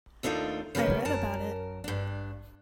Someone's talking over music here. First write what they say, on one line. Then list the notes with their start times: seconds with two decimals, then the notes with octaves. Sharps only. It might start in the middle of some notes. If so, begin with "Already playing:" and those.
I read about it.
0.23 D#2 A3 D4 D#4 F4
0.75 C#3 G3 A#3 B3 C#4
1.05 F#2 A#4 A5
1.84 G2 D4